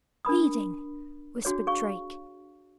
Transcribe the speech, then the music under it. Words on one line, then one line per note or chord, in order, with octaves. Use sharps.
"Feeding!" whispered Drake.
D4 A#4 B5 D#6
D4 F#4 G#4 C#5
G#4 F5 C#6